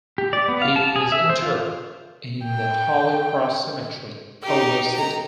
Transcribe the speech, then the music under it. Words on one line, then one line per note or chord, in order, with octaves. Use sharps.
He is interred in the Holy Cross Cemetery, Culver City.
G4
D5
B3
F5
A5
G#4
E5
C5
F4
G5
D#4 G4
A#5